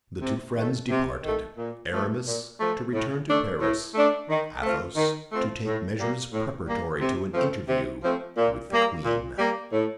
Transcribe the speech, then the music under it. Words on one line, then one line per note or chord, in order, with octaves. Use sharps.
The two friends departed--Aramis to return to Paris, Athos to take measures preparatory to an interview with the queen.
C3
D#3 A3
C3
D#3 A3
A#2
F3 A3
A#2
F3 A3
A2
A3 D4
A2
A3 D4
D#3
A3 C4 F4
D#3
A3 C4 F4
A2
G3 A#3
A2
G3 A#3
C3
F3 A3 C4
C3
F3 A3 C4
A#2
G3 A#3
A#2
G3 A#3
A2